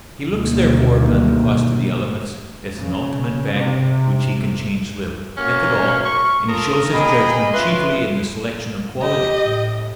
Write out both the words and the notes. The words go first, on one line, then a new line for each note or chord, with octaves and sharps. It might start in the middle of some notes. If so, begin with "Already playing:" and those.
He looks therefore upon the cost of the elements as an ultimate fact which he can change little, if at all, and he shows his judgment chiefly in the selection of quality.
D2 G2 B2 D#3 G3 A#3
C#3
C3
A#3 C#4 F#4 F6
C#6
F4 A4 A#4 D#6
A#3 G#4 D#5 G5 B5
C#4 F4 B4 E5 C6
G4 D#5
A2